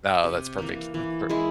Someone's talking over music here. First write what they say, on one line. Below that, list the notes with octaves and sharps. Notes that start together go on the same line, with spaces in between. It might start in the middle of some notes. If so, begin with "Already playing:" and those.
No, that's perfect, that's perfect
C3
E3 A#3
E3
G#3 E4